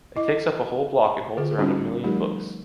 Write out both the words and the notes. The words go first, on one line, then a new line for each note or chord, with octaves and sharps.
It takes up a whole block and holds around a million books.
E4 D#5 D6
D3 F4 G#4
G3 C4 C#4 D#4 F4 F#4
F3 G3 A3 D#4 G4 A#4